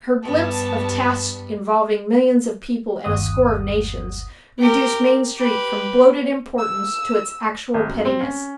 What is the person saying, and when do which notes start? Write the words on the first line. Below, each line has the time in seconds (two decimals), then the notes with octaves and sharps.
Her glimpse of tasks involving millions of people and a score of nations reduced Main Street from bloated importance to its actual pettiness.
0.24 G2 G3 B3 A5
3.05 G1 D#2 F#5 D#6
4.59 G4 A#4
5.36 G4 B4
6.58 E6
7.74 G#1
7.88 F#2
8.05 C4
8.21 C#4